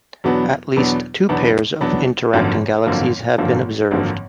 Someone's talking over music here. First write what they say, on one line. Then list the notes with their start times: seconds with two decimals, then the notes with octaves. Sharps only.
At least two pairs of interacting galaxies have been observed.
0.24 E2 B2 F#3 B3 D4
0.76 E2 B2 F#3 B3 D4
1.29 E2 B2 F#3 B3 D4
1.81 E2 B2 F#3 B3 D4
2.33 G#1 F#2 D3 F3 A#3
2.86 G#1 F#2 D3 F3 A#3
3.38 G#1 F#2 D3 F3 A#3
3.91 G#1 F#2 D3 F3 A#3